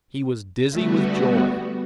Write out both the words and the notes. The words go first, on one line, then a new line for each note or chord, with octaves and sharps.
He was dizzy with joy.
D3 G3 A3 B3 F#4